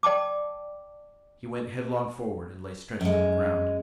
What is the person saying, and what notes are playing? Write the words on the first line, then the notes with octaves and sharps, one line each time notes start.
He went headlong forward and lay stretched on the ground.
D5 G5 A5 D6
F#2 G#3